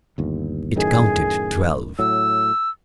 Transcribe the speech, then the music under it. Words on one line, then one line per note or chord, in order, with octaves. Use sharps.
It counted twelve.
G1 D#2
F#2 A2 D#3 G#4
A2 F#3 E6